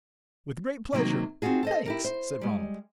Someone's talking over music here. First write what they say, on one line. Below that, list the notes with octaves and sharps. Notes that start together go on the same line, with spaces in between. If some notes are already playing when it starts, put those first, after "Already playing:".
"With great pleasure--thanks," said Ronald.
C3 D#3 F#3 A#3
C4 D#4 F4 F#4 G#4
A4 C5 D#5
E4 G4 A#4
C5
G3 G#3